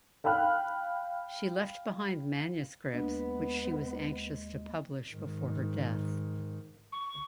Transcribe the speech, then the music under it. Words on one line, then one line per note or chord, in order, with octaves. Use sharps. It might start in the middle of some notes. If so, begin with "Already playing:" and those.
She left behind manuscripts which she was anxious to publish before her death.
F5 G5 B5 F6 F#6
D#2 G#3 A#3 B3 D4
G#2 D#3
C#6